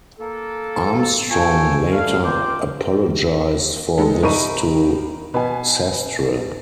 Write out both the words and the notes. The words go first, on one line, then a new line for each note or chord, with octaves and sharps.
Armstrong later apologized for this to Sastre.
A#3 A4
F4 A4 G5 G#5 C#6
A3 D4 B4 F5
C#2 B2 A#3 C5 G5 D6
G#3 D#4 A4
C2 D#4 A#4 B5 C#6 D#7
B2 B4 G#5